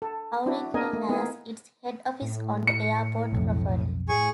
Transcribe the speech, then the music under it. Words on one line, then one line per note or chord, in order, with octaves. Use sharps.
Aurigny has its head office on the airport property.
A4
D4 E4 F#4
A#3 D4 G#4 A#4 D#5 G#5
A3 A#3
A#3 B3 D#4 E4 G#4
A2
C#7
B1 F2
A2 G#4 G#5 C#6